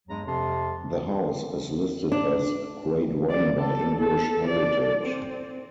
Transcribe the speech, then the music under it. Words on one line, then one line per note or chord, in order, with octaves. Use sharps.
The House is listed as Grade One by English Heritage.
E2 G2 F#3 G#3 A#5
F2 C3 F3 A5 C6
D4
D5
A4
A4
D5
C4